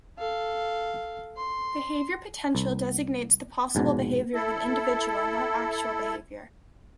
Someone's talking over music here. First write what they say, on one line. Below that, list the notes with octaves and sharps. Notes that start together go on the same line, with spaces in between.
Behavior potential designates the possible behavior of an individual, not actual behavior.
A4 F5
C6
C2
F1 G#2 B2
E4 A4